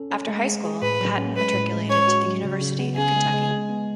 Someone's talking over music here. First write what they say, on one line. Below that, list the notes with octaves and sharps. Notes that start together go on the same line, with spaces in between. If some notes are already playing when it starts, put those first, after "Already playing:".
After high school, Patton matriculated to the University of Kentucky.
Already playing: C#4 A4
C#4
G#3
G#4
G#4
A2 B4
F#3
C#4
G#3 B4
A2
G#3
C#4 C#5
F#4
F#3
C#3
C#3
B3
C#3 G#4
G#3
G#3
G#3
B3